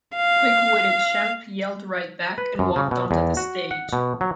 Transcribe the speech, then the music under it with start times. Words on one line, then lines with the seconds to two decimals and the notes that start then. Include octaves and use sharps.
Quick-witted Shemp yelled right back, and walked onto the stage.
0.17 F5
2.38 B4
2.59 F#2
2.76 C#3
2.91 B2
3.11 E2
3.37 F#4
3.71 F#5
3.93 B2
4.21 F#3